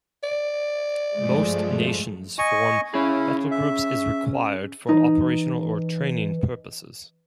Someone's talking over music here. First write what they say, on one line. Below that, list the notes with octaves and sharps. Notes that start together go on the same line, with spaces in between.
Most nations form battlegroups as required for operational or training purposes.
D5
G2 F3 G#3 A3
D#5 G#5 C#6
C#4 E4 G#4
E5
E3 D#4